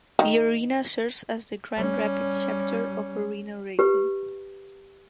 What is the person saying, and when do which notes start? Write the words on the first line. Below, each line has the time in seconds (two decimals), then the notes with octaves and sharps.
The arena serves as the Grand Rapids chapter of Arena Racing.
0.19 D#3
1.76 G3 C#4
3.79 G4 B4